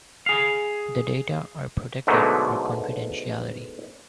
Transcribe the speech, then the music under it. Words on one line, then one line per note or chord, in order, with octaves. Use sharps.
The data are protected for confidentiality.
G#4 F5
G#2 B2 D3 F#3 A3 A#3